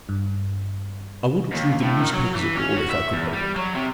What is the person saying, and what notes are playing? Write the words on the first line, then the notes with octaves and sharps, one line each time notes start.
I wouldn't read the newspapers at all if I could help it.
G2
D#2
A2
D#3
F#3
E3
C#4
F#4
E5
E2
G3
F#3
C3